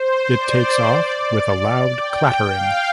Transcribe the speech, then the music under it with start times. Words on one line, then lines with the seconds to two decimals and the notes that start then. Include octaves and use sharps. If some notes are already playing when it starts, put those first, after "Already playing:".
It takes off with a loud clattering.
Already playing: C5
0.36 D5
1.99 G5
2.53 F5